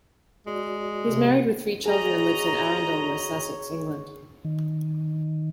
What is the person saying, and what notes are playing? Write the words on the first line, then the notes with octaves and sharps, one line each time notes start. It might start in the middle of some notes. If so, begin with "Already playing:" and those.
He is married with three children and lives in Arundel, West Sussex, England.
G#3 F#4 D5
C3
F#4 G#4 C#5 D#5 A#5
D#3